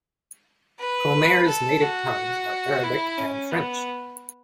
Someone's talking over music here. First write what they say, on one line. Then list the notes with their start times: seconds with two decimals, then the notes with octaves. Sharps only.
Comair's native tongues are Arabic and French.
0.79 B4
1.47 A4
1.81 F#4
2.83 E4
3.17 C#4
3.52 B3